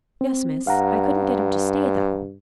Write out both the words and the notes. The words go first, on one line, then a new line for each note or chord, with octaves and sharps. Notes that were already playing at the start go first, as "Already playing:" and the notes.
"Yes, miss, I couldn't get him to stay though."
C4
G2 F5 F#5 A#5